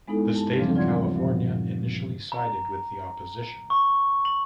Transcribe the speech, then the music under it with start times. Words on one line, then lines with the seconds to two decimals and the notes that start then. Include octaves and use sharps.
The state of California initially sided with the opposition.
0.08 G#3 B3 D#4 E4 A4
0.35 G2 A5
0.57 C#3 E3 F3 G3 C4 D4
0.75 D#2 F4 D5 F#5 C6 G#6
1.15 G2 A#2 F3 F#3
2.32 A#5
3.70 C#6
4.25 F#7